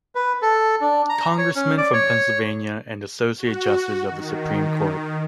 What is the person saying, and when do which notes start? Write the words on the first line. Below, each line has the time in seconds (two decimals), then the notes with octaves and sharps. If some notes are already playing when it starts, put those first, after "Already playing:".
Congressman from Pennsylvania and Associate Justice of the Supreme Court.
0.15 B4
0.42 A4
0.81 D4
1.09 A#5
1.38 C#5
1.56 C#4
1.78 D5
1.93 C#5
3.37 F#4
4.10 D#3